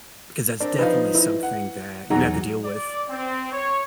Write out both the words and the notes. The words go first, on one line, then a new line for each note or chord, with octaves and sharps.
'cause that's definitely something that you have to deal with,
C4 D4 A#4 D5
F3 D#4 B4 F5
E4 B4 D#5
F#5
E2 F#3 D#4 G#4 F#5 A#5
D5
C4
C#5